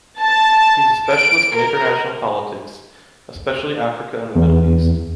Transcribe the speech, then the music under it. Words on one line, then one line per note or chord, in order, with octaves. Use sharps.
He is a specialist in international politics, especially Africa and the Middle East.
A5
D7
A#4
E2